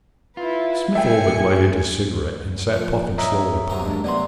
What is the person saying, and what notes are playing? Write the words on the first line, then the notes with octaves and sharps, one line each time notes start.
Smith-Oldwick lighted his cigarette and sat puffing slowly upon it.
E4 F4 B4
A3 G#4 E5 G5 G#5 C#7
F3
C#5 D#5 E5 A#5
C3 F#3 A#3
G#3 D4
C3 F#3 A3 B3 D5 C6